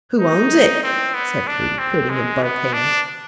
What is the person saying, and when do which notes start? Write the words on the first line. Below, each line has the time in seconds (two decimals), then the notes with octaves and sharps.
"Who owns it?" said Prudy, putting in both hands.
0.19 D#4
0.83 C4
1.14 B3
1.47 D4
1.79 C4
2.10 G#3
2.43 B3
2.73 D4